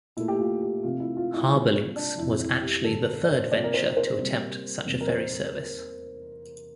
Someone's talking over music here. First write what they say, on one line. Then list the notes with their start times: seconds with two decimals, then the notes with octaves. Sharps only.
HarbourLynx was actually the third venture to attempt such a ferry service.
0.17 A#2 A3 E4
0.28 G4
0.39 F4
0.62 G4
0.83 C3 F3 A3 F4
1.00 E4
1.17 F4
1.33 E4
1.50 C3 G3 A#3 F4
1.96 D4
2.17 F2 C3 E3 E4
2.41 E4
2.62 G4
2.84 G2 D3 G3 A#3 A4
3.06 A#4
3.24 D5
3.29 C5
3.51 C3 F3 A#3 D5
3.64 A#4
3.74 C5
3.97 C5
4.18 C3 G3 A#3
4.85 E2 C3 G3 A#3
5.01 A#4
5.08 C5